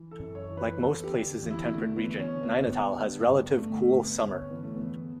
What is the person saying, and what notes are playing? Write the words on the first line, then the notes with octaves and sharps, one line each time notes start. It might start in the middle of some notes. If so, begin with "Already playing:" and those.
Like most places in temperate region, Nainital has relative cool summer.
Already playing: E3
A4
F#2
C#5
E3
B4
E2 A4
G4
D3
E2
E4
D3 A3
B3
E2
C#4
D3
B3
G2
D3
G2
D3 A3
A3
G2
B3
D3
C#4
E3 B3
A3
B3
E2